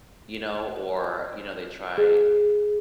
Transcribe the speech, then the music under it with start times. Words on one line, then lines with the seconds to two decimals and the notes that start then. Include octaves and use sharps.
you know or, you know, they try,
1.98 G#4